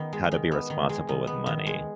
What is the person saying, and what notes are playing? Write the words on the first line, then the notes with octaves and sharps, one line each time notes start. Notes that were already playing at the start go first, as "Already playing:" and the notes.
How to be responsible with money.
Already playing: D#3 B3
G#3
D#3
B3
D#3
G#3
D#3
B3
D#3
G#3